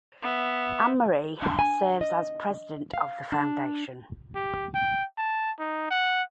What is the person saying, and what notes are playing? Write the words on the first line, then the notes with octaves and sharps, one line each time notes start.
Anne-Marie serves as president of the foundation.
B3 E5
D4
G#5
D#5
F5
D4
G4
G5
A5
D#4
F#5